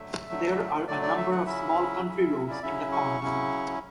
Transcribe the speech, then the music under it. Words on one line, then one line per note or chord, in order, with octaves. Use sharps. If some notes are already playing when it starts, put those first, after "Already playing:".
There are a number of small country roads in the commune.
Already playing: D3 F#3 A3 E5
D3 F#3 A3
D3 F#3 A3 D5
D5
E5
F#5
C#3 F#3 C#4 E4 E5
C#3 F#3 C#4 E4
D5
C#3 F#3 C#4 E4 E5
C#6
C#3 F#3 C#4 E4